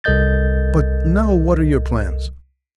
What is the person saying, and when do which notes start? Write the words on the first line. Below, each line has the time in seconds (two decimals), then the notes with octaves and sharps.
But now what are your plans?
0.04 C2 A4 A#4 D#5 G6 A6